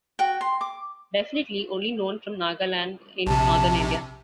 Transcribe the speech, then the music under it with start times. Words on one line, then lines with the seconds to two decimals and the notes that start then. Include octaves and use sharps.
Definitely only known from Nagaland in northern India.
0.19 F#4 G5
0.41 C6
0.61 D6
3.27 A#1 C3 A5